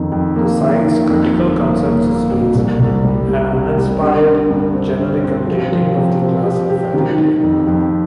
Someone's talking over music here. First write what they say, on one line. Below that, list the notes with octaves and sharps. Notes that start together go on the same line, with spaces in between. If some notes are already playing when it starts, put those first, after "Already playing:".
The site's critical consensus reads, An uninspired, generic updating of the classic fairy tale.
Already playing: F2 D#3
F2
A#3
D#3
D#3
F2
G1
A#3
A#3
A#3
F2
C2
C2
G3
G3
C3
G3
D3
D3
G2
C4
D3
C4
F3
F3
C3
C4
G4
G4
D#3
D#3
F2
F2